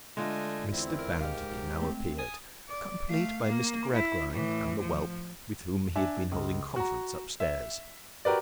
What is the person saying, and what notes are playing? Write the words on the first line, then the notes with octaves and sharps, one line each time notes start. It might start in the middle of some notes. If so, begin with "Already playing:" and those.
Mr. Bounderby now appeared, accompanied by Mr. Gradgrind and the whelp, with whom he had been holding conference up-stairs.
D3 G#3 A3 D4 F4 D#5 G#5
E2 C4 E4
A#4
G#2 G4 D#5 F5
A3 C4
G#5 D#6
D5
A3 F5
A#3
E4
A2 E3
F3
D4 E5 G#5
C#2
F#4 A#5
E5
F#4 G4 A#4 B4 D5